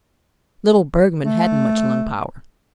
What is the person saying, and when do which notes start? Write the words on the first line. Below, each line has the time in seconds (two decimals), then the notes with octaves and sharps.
Little Bergmann hadn't much lung power.
1.25 A3